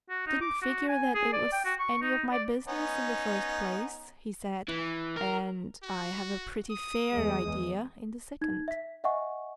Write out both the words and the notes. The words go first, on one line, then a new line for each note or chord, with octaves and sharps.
"Didn't figure that it was any of my business in the first place," he said, "and I have a pretty fair idea, in the second."
F#4
D#4
D6
F#4
G#5
G#4
D5
G5
F#4
C#6
D#4
D5
B3 C#4 D#4
E3
A#4
F#4
D#6
E2 G#3
D#4 G#6
E5 B6
D#5 E5 F#5 G#5 C#6